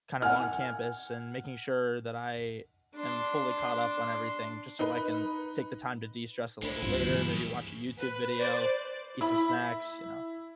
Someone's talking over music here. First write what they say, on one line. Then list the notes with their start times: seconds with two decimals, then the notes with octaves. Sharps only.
kind of on campus and making sure that I am fully caught up on everything just so I can take the time to de-stress a little later, maybe watch a YouTube video, eat some snacks, you know.
0.22 F#5 G#5 F6
2.96 D4 C6
4.79 D#4 B4
6.62 G#3 D4 E4 F4 C5 B5
6.82 C#2 G2 C3 A#3 C4 F4 C5
7.02 B2 D3 E3 F#3 G6
7.14 E3 G#4
7.30 C#3 G3
7.99 B4
8.39 C5 D5
9.21 E4 B5